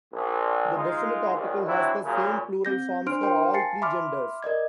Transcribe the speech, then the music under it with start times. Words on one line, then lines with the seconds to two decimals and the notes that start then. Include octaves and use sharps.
The definite article has the same plural forms for all three genders.
0.13 A#1
0.74 G#3 D#4 F4
1.32 A#1 D#2
1.66 E3 F#3 C4 D4 E4 F#4
2.04 F#2 A#2 C#3
2.65 C4 G6 A#6
3.06 D4 C5 C6 F6 D7
3.21 A#4 C5 G5 C6
3.53 F5 G#5 A5 A6 C7 C#7
3.82 E5 B5 C6 D6 F6
4.43 A#4 D5 D#5 G#6